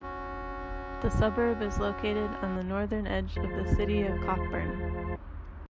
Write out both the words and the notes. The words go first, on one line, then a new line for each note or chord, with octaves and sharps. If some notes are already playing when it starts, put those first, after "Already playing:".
The suburb is located on the northern edge of the City of Cockburn.
C#4 F#4
E2 G#3 F4 C5 A5 C6